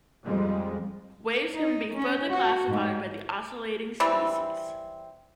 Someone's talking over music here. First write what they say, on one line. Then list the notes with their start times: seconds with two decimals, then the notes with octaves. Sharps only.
Waves can be further classified by the oscillating species.
0.24 F2 G3 G#3
1.54 D#4
1.95 C#4
2.29 F#4
2.66 G#2
4.00 E3 G3 C4